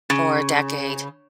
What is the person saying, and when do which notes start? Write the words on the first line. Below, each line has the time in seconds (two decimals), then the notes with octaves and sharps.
for a decade.
0.10 C#3